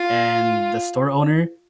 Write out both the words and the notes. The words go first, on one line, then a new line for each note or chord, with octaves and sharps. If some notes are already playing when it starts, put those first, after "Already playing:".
and the store owner"
Already playing: F4